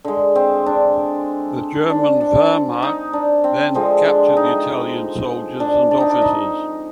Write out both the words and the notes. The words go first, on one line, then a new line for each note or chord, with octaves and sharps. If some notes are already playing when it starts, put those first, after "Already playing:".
The German Wehrmacht then captured the Italian soldiers and officers.
D3 G#3
C4
D4
D4
D4
D#4
D4
C4
D3 F3 G#3 C4
D4
D#4
D4
D4
D#4
D4
D#4